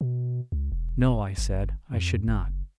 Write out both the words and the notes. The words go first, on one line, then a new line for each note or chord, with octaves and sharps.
No, I said, I should not.
B2
C#2
E1
G1
F2
F#1